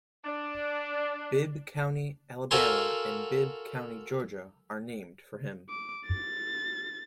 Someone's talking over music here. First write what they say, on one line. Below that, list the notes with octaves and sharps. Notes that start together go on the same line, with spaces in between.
Bibb County, Alabama, and Bibb County, Georgia, are named for him.
D4
F#4 A4 A#4 F5 G#5 C6
D6
A6